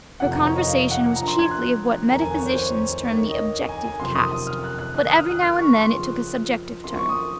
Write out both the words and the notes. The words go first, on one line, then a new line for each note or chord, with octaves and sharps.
Her conversation was chiefly of what metaphysicians term the objective cast, but every now and then it took a subjective turn.
F1 F2 C3 D#3 F#5
A#5
C#5
D#5
F5
F#5
A#1 A#2 F3 A#5
C6
G#6
F#6
F1 D#2 D#3 A#5
G#5
C#5
C5
C#5
D#2 D#3 C#5
D#5
G#5
G#5
F#1 F2 C3 D#3 C6
D#6
D#6
F6
F#6
F#6
D#2 D#3 F#6
D#6
F6
F#6
F6
C#6
C6
C#2 C#3 F3
G#1 F#2 F3 C6
C#6
D#6